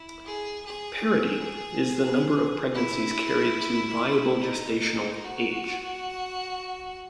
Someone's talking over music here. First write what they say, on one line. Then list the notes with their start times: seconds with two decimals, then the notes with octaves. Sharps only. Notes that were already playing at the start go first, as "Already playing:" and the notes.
"Parity" is the number of pregnancies carried to viable gestational age.
Already playing: E4
0.25 G#4
0.66 G#4
2.74 E4
4.40 D#4
4.83 D#4
5.24 F#4